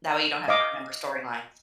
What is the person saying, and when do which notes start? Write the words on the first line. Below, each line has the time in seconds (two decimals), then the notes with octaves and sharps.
that way you don't have to remember storylines.
0.48 D#5 F5 D6